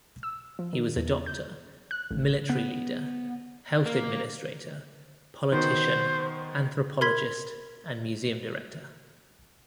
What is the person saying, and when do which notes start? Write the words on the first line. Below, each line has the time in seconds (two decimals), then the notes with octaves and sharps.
He was a doctor, military leader, health administrator, politician, anthropologist and museum director.
0.23 E6
0.59 F3
0.73 D#3
0.96 E2
1.26 G6
1.91 F#6
2.11 A1
2.50 B3
3.86 A#3
5.52 D#3 B3 F#4 C5
7.01 A#4 B5 C6 G#6 B6